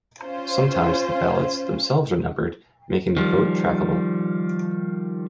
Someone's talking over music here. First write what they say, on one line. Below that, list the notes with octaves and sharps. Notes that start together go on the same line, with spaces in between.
Sometimes the ballots themselves are numbered, making the vote trackable.
C#4 F4 C5
D#3 F3 G3